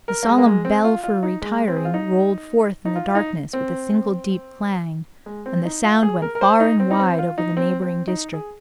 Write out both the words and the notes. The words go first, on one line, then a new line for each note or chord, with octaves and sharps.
The solemn bell for retiring rolled forth in the darkness with a single deep clang, and the sound went far and wide over the neighbouring district.
A#4
A#3
G#3
A#3
G#3
C4
F4
F4
D#4
G#3
C4
G#4
F4
D#4
D#4
F4
F4
D#4
C4
G#3
C4
D#4
F4
G#4
A#4
A#4
C5
D#4
C4
D#4
C4
F4
D#4
C4
C4
D#4
G#4